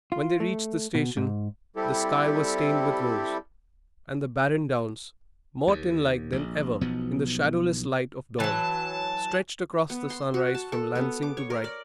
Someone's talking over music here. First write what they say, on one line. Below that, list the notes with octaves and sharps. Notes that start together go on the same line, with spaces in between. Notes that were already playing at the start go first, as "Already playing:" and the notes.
When they reached the station the sky was stained with rose, and the barren downs--more tin-like than ever in the shadow-less light of dawn--stretched across the sunrise from Lancing to Brighton.
F4
A3
B2
G#2
G3 C4 E4 G4 A4
D#2
A#1
B1 B2 F3 B3
E3 F#3 A5
B3
C6
F#4
A5
A4
B3
D6
C#5
A#4
D5